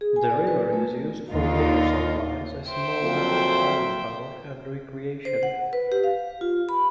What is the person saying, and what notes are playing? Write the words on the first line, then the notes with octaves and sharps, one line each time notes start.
The river is used for water supplies, a small amount of hydropower, and recreation.
G#4
G#5
D5
B4
A3
D#2 D3 D#4 F4
C5 E5 G5
F2 A#2 F#3
C5
F#5
B4
G4
F5
F4
B5